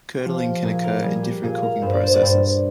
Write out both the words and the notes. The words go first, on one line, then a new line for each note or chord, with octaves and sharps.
Curdling can occur in different cooking processes.
G4
F3 F4
G4
A#2 G#4
A#4
G3 G#4
G#4
G4
A#2 G#4
A#4
G2 C5
D5
C5
D5
G2 C5